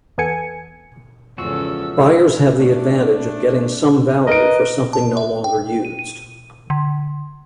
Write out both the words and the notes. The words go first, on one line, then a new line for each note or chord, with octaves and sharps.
Buyers have the advantage of getting some value for something no longer used.
E2 B3 A4 G#5 C#7
E2 G#2 C#3 F3 C#4 F#4 A4 E6
D3 E3 G#3
A3 D4
A#4 B4 D#5 D7
A5
E5
G5
D#7
D#7
D3